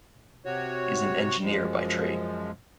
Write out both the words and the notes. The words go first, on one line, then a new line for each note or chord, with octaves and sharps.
He is an engineer by trade.
C3 F#4 C#5
F#2 F3 G#3